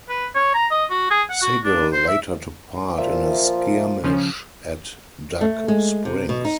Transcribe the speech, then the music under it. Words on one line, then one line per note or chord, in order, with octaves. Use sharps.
Sigel later took part in a skirmish at Dug Springs.
B4
C#5
A#5
D#5
F#4
G#4
F#5
F#4
D4
C5
E5
A#2 F3 E5
C#3 F3 C#4
A3
G#3
C3
B2
D#4